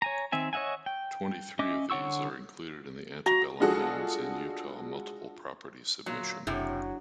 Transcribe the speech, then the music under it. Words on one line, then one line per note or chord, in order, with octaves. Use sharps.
Twenty-three of these are included in the Antebellum Homes in Eutaw multiple property submission.
C#5 G#5 A#5
D#3 C4 E5 G#5
C#5 D#5 E5 F#5 G#5
G5
C#4 D#5 E5 D6
D3 C#5 F#5 C#6 E6
F#4 A#5
G#3 D4 F4 F#4 G#4 A4
D2 A#2 F#3 F4
F#1 A2 C3 F#3 D4 E4 G#4